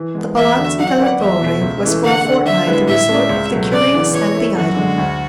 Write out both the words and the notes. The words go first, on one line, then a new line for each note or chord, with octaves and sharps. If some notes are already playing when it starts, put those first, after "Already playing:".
The Palazzo della Torre was for a fortnight the resort of the curious and the idle.
Already playing: E3
G#3 B3
E2 E5
D3 A3 D4 F#4
F#3 F#5
B3 F#4 B4 D5
E2 E5
B2 A3
C#2
C#3 E3 A3
D3 F#5
A3 D4
D3 E5
G#3 B3 E4 B4
A2 E5
G#3 C#4 G#4 D5
C#2
B2 F#3 A3
C#3 D5
E3 B3
E3 C#5
A3 E4
F#2 F#4
D3 G#3
D2